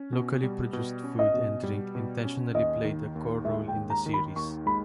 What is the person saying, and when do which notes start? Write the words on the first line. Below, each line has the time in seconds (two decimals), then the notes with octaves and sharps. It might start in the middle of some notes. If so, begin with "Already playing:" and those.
Locally produced food and drink intentionally played a core role in the series.
Already playing: C#4
0.13 B2
0.43 G3
0.73 B2
1.04 C#4
1.19 D#5
1.34 B2
1.64 G3
1.95 B2
2.25 C#4
2.55 D#2 D#5
2.84 D#3
3.16 D#2
3.45 G#3 E5
3.68 G5
3.76 D#2
3.90 A#5
4.06 D#3
4.14 B5
4.36 D#2 C#6
4.66 G#3 B5